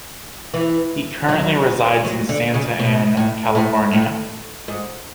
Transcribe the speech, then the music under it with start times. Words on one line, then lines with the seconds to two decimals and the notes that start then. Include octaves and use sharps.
He currently resides in Santa Ana, California.
0.54 E3
1.29 F#3
2.05 F#3
2.29 D3
2.54 C#3
2.80 B2
3.17 A2
3.55 A2
3.93 A2
4.68 G#2